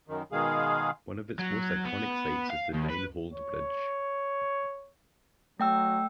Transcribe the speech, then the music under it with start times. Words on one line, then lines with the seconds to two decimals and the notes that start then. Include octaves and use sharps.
One of its most iconic sites is the Nine-holed Bridge.
0.08 F#2 D#3
0.32 B2 D#3 G#3 G#4 F5
1.39 F#3
1.85 B3
2.50 F5
2.74 D#2
2.90 B4
3.33 C#5
5.60 F#3 A3 G5 E6